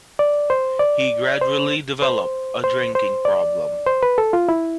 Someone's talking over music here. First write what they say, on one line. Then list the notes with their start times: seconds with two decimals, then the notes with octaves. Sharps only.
He gradually developed a drinking problem.
0.19 D5
0.50 C5
0.79 D5
1.41 C5
2.02 C5
2.64 C5
2.95 C5
3.25 D5
3.86 C5
4.03 B4
4.18 A4
4.33 F4
4.49 E4